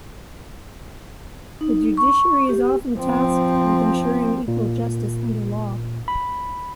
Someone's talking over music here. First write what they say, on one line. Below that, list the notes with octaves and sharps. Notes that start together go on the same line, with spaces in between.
The Judiciary is often tasked with ensuring equal justice under law.
D#4
C#6
G4
F3 C4
A#2
B5